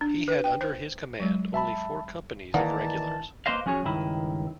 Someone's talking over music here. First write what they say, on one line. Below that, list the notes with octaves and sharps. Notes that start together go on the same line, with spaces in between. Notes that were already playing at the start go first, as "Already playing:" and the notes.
He had under his command only four companies of regulars.
D4
B4
G5
C5
F#3 G#3
E5 A5 B5
D#3 E3 A#3 D5 F#5 A5 A#5
A#3 B4 C5 D#5 F5
F3 C#4 F#4 G#4 C#5
C#2 G2 D#3 E4